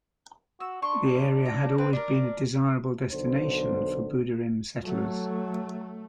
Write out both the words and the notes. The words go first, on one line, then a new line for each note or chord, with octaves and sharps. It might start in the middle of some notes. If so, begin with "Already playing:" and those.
The area had always been a desirable destination for Buderim settlers.
F#4 E6
D4 C6 C#6
A#5
C4 B4
D4 A#4 D5
B1 D3 C5
F#3 A3